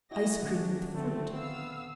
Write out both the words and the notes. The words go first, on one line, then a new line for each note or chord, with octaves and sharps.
Ice Cream with Fruit.
E4 F#4 D#5 G#5 A#6
D#1 D4
D3 A3 C4
B3 F5 E6